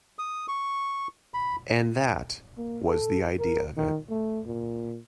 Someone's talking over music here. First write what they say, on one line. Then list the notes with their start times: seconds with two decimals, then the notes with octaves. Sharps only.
And that was the idea of it.
0.19 D#6
0.48 C#6
1.34 B5
2.57 A#3
2.87 A4
3.39 A#4
3.77 D#3
4.09 A3
4.46 A#2